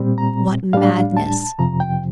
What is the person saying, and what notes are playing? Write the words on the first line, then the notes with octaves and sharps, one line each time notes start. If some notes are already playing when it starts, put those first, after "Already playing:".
What madness.
Already playing: A#2 G3 C4
A#5
A2 G3 D4 F5
A5
F2 C3 F3 A#5
G5